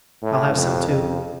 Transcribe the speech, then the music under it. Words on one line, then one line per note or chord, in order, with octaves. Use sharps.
I'll have some too!
A2
F2
F2